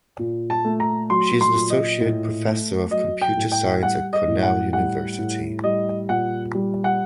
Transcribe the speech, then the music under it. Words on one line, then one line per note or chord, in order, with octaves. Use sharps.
She is an associate professor of computer science at Cornell University.
A#2
A5
A3
A#5
F#3 C6
C6
A#2
D#5
A2
A3
F#3 D#5
G5
A2
G5
G3 F#5
D#5
A2
F#5
G3 F#5
A2
G3 D#5
A#2 F#5
G3
F#5